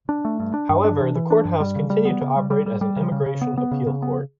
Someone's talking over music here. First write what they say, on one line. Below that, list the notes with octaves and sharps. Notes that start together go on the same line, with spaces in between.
However the courthouse continued to operate as an immigration appeal court.
D4
A3
G2
D4
G2
D4
E3
E3
D4
G2
G3
C#3
G3
B3
C#3
G3
G3
G3
G3
C#3
C#3
C#3
B3
B3
C#3
C#3
B3